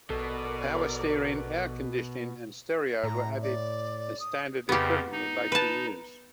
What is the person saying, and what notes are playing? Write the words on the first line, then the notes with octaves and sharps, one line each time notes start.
Power steering, air-conditioning, and stereo were added as standard equipment in later years.
A#1 B2 A4 A#4 D5
A2 A#5
D5
D#6
F2 C#3 B3 G4
D#4
B4 A5